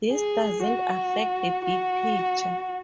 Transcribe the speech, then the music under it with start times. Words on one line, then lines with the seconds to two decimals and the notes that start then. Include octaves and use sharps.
This doesn't affect the big picture.
0.13 G#4
0.64 F#4
1.65 F#4